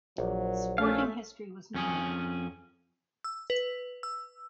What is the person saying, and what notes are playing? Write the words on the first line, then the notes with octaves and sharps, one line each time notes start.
Sporting history was made.
A#1 F#3
A3 C#4 F5
F2 C#4 G#4
E6
B4
E6